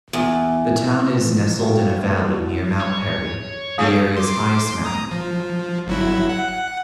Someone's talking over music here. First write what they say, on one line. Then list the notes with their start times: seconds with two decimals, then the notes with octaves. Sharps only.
The town is nestled in a valley near Mount Perry, the area's highest mountain.
0.13 E2
1.18 C#3 E3 F3 A3
1.61 F#4 G#4 E5 F5 G5 C#6
2.04 G2 G3 A3 A#3 B4
2.29 E4 F#4
2.80 C#5
3.78 F#2 A3 C#4 G#4 C#5 F5 D#6
4.16 C6 D6
4.85 A#5 D#6
5.11 F3
5.87 G1 F#3 E4
6.29 F#5